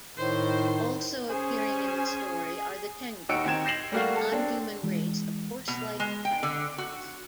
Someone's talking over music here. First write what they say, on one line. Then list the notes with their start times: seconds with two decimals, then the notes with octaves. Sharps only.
Also appearing in the story are the Tengu, a non-human race of horse-like bipeds.
0.17 A2 D#3 C5
1.30 C#4 G#4 C5 G#5
3.29 D#2 D#4 F#4 E6 C#7 D7
3.45 D#3 C4 G#6 E7
3.65 G6 A#6 C7 E7 F#7
3.92 G3 A3 A#3 F#4 F5
4.16 A4
4.32 C4 D4
4.83 E3 G#3
5.68 B2
6.00 G#3
6.25 G5
6.43 D3
6.78 F#4